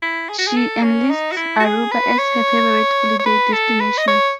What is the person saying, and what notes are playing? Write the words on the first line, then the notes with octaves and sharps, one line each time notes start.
She enlists Aruba as her favorite holiday destination.
E4
G#4
F#4
G#4
A4
C#4
D#4
F#4
E4
F#4
G#4
B4
C#5
C#5
B4
A4
B4
D#5
C#5